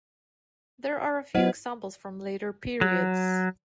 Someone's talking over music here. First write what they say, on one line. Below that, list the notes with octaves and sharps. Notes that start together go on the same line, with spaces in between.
There are a few examples from later periods.
F#3 B3 C5 D#5 F#5
F#3